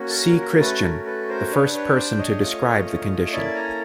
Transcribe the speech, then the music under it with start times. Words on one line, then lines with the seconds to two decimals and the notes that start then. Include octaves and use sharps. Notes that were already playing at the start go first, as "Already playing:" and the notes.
C. Christian, the first person to describe the condition.
Already playing: A#3 C#4 F#4
0.09 A4
0.14 A#4
0.37 A#4
0.53 A#4
0.60 A3 C#4 F#4 A4 B4
0.83 A#4
1.05 A4 B4
1.29 A#4 C5
1.51 D4 G4 B4 C#5
1.74 B4 C#5
1.96 C5 D5
2.18 C#5 D#5
2.42 A3 C#4 F4
3.32 A#3 C#4 E4 A4 D5 E5
3.55 G#5 A#5